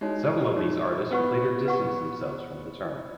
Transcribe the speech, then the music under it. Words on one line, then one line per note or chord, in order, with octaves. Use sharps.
Several of these artists would later distance themselves from the term.
G#3 D#4 F#4 C#5
D#4 F#4 C#5
B3 B4 F#5 C#6
B4 F#5 C#6